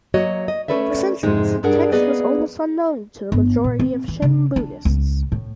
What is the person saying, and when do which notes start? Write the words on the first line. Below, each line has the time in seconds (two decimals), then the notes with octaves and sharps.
For centuries, the text was almost unknown to the majority of Shin Buddhists.
0.14 F#3 A#3 F#4 C#5 D#5
0.48 D#5
0.68 A3 C#4 A4 B4 D5 E5
1.23 F2 G#2 C3 G#3 D#4
1.63 G2 G3 D4 G#4 A#4 F#5
1.92 A#3 B3 G#4 B4 D5 D#5
3.32 G1
3.64 A#2
3.79 C4
4.08 E3
4.22 C#3
4.56 D4
4.85 C#2
5.32 A2